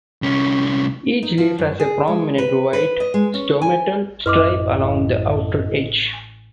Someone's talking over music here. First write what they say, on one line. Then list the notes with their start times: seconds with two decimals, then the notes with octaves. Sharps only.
Each leaf has a prominent white stomatal stripe along the outer edge.
0.22 C2 C#4
1.23 D#4
1.38 F3
1.58 F#2
1.80 G#4
2.07 G#3
2.38 B4
2.73 B4
3.00 D#5
3.14 G#3
3.34 C#4
3.62 G#5
4.26 A1 F#2 E4 A4 B4 D#5 C6 D6